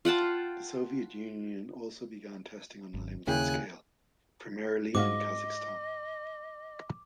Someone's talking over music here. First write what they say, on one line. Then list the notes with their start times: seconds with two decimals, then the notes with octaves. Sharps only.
The Soviet Union also began testing on a limited scale, primarily in Kazakhstan.
0.05 F4 F#5 G5 A5
2.94 G#1
3.27 D#2 C#3 A#3 E4 G5 G#5 F#6
4.95 G#2 F#4 D#5 F5 D6